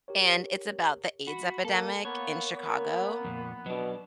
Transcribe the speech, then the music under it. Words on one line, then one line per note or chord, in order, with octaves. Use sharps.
and it's about the AIDS epidemic in Chicago.
G4 A#4 C#5
F#4 B5
A#3 A4
A#3 B3 C#5
B3 A#4
F2 A#2
B2 F#3 D4